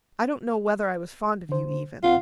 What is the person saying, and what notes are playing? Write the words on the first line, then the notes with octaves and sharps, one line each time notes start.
I don't know whether I was fond of you even.
D3 C5
C#2 C4 F4 F#5